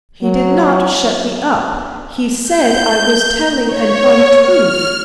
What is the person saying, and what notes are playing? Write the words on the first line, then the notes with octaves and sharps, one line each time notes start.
"He did not shut me up, he said I was telling an untruth."
F#3
G6
C#5
F6